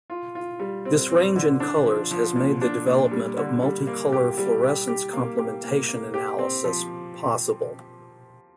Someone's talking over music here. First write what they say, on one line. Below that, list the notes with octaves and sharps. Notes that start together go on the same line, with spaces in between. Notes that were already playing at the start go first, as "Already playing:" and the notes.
This range in colours has made the development of multicolour fluorescence complementation analysis possible.
F4
F4
G3
C4
C4
D3
D4
F3
F3
A#2
D4
A#2
G3
D3
G3
A#3
G4
G3
G4
G4
A#3
G4
A#3
A#3
G4
C4
F3